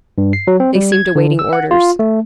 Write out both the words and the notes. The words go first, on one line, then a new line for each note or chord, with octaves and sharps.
They seemed awaiting orders.
G2
C7
F#3
C4
G3
G#6
D3
E6
F#5
F4
A3